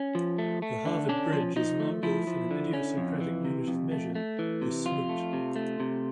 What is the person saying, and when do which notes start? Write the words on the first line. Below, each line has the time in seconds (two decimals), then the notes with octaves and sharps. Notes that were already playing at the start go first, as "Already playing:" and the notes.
The Harvard Bridge is marked off in an idiosyncratic unit of measure, the "smoot".
Already playing: C#4
0.15 F3
0.38 A3
0.62 A3
0.85 D3
1.09 C#4 D4
1.33 F3
1.56 F3 D#4
1.80 A3
2.03 F3 E4
2.27 F3
2.51 D3
2.73 C#4
2.97 F2
3.20 E3
3.45 C3
3.68 F2
3.91 A3
4.15 A3
4.39 E3
4.61 C3
4.85 F2 F4
5.09 A3
5.33 C3
5.56 A3
5.80 C3